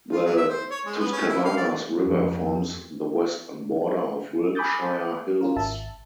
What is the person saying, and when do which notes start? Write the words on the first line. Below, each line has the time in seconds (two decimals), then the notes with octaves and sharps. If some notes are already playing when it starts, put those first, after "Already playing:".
The Tuscarawas River forms the western border of Wilkshire Hills.
0.11 F4
0.25 F#3
0.37 E5
0.49 C5
0.71 C#5
0.86 G#3
1.00 B3
1.12 C#4
1.29 E4
1.45 F5
1.57 D5
2.03 F2
4.55 G#5 B5 D6 D#6 G6 A6
5.41 C#4 F4 A#4
5.56 G#1 E5 A5